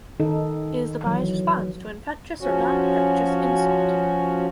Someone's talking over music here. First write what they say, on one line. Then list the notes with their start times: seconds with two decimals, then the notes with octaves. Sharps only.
It is the body's response to an infectious or noninfectious insult.
0.20 D#3 D#4 A4
1.07 E3 F#3
2.41 F3 C#4 F#4